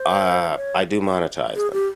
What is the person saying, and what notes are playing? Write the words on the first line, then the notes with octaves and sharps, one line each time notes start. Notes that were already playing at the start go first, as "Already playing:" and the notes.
uh, I do monetize them.
Already playing: C5
C#5
G#4
G4